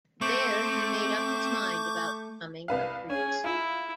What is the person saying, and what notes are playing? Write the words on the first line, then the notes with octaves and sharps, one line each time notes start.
There he made up his mind about becoming a priest.
A3 C4 C#6 D6 G6
C2 B4 F5
C#4 G#4 G#5
E4 F4